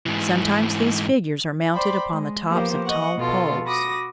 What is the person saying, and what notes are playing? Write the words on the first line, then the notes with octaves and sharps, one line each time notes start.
Sometimes these figures are mounted upon the tops of tall poles.
G#2 E3
C5 D5 G5 B5
G#3
F3 A#3 B3 G4 A#4 C5
D#5 F#5 C#6
B2 F4 A4
F#4 B5 D6 D#6 A#6